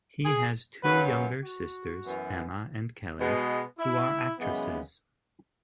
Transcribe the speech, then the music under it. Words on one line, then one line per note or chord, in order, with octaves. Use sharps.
He has two younger sisters, Emma and Kelly, who are actresses.
G#4
F#2 C#3 F#3 B3 B4
F#4
F#2 E3 B3
B2 G#3 B3
E4
F#2 C#3 E3 G#3 B3